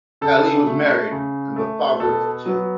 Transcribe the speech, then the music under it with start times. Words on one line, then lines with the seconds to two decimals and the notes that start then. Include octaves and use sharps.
Ali was married and the father of two.
0.21 C#3 A4
0.67 A3
1.12 C#3
1.56 A3
2.00 B2 A4
2.46 F#3 B3